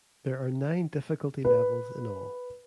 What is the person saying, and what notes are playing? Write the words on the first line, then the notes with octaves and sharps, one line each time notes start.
There are nine difficulty levels in all.
B4